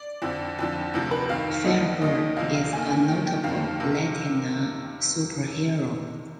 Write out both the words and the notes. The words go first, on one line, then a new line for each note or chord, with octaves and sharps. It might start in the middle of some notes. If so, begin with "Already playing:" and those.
Firebird is a notable Latina superhero.
Already playing: D5
F2 D3 F3
F2 D3 F3
D2 C3 F3
B4
F2 D#3 F5
D#2 D3 F3 D#5
D#2 D#3 D#5
D2 C3 F3 F5
F5
D#2 D#3 G#5
G#5
D#2 D#3 G5
G5
F2 D#3 F5
C3 D#3